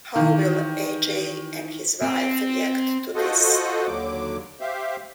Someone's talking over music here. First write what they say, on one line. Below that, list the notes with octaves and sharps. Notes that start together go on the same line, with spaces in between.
How will Ajay and his wife react to this?
D#3 E3
C4
F4 F#4 A4 C5 D#5 F#5
D#2 D3 F#3 D6
G4 C5 E5 F5